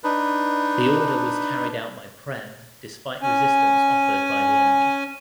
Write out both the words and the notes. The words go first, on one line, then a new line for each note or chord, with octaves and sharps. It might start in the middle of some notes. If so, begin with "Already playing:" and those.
The order was carried out by Prem despite resistance offered by the enemy.
D4 D#4 B4
C#4 G#5